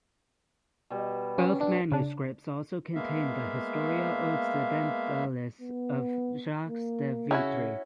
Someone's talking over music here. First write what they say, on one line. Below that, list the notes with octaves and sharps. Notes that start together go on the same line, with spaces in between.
Both manuscripts also contain the "Historia Occidentalis" of Jacques de Vitry.
B2 G3
C#4
D4
C#3 D4
G#3 A#3 B3 E5 F5
B3
A#3
C#3 C#4 E4 F#4